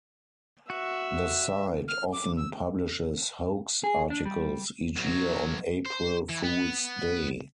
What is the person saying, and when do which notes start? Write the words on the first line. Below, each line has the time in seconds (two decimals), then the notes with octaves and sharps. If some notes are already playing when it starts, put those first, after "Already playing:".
The site often publishes hoax articles each year on April Fools' Day.
0.70 F#4 E5
1.88 F6
2.13 D6
2.37 E6
3.84 G#4
4.10 D4
4.25 G3
4.96 B1 F#3
5.86 C5
6.29 E3
6.44 B3